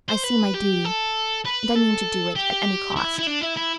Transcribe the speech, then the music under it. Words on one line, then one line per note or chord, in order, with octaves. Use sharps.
I see my duty and I mean to do it at any cost.
C5
B4
G4
A4
B4
A4
G4
E4
E4
D4
E4
E4